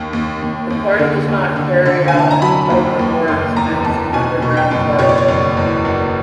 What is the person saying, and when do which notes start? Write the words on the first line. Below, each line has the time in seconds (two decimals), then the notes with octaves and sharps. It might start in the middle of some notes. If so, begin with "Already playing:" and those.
The party does not carry out open works and is an underground party.
Already playing: D#2
0.13 D#2
0.42 D#2
0.70 D#2
0.99 D3
1.28 D#2
1.56 D3
1.86 D3
2.08 G#5
2.14 D3 A5
2.31 A#5
2.42 F#3 B5
2.70 D#2
2.99 D#2
3.28 F#1 C6
3.56 E2 A#5
3.84 E2 A5
4.13 B2 G#5
4.42 B2
4.57 G5
4.71 F#1
4.99 B2 C#5
5.09 D5
5.18 C#5
5.28 F#1
5.57 E2
5.85 F#1